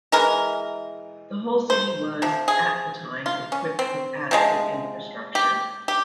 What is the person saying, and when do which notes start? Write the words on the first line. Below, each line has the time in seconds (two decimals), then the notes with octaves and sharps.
The whole city was, at the time, equipped with adequate infrastructure.
0.12 E3 G#3 A#4
1.70 C5
2.22 C3 F3
2.48 G#4
3.26 F4
3.52 C#4
3.79 C4
4.31 C3 F3 G#3
5.35 G4
5.88 G4